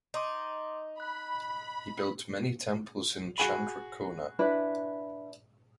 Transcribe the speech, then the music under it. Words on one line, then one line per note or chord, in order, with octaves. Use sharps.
He built many temples in Chandrakona.
D#4 D#5 C6 D6
B5 F#6
F#4 G#4 B5
D4 E4 B4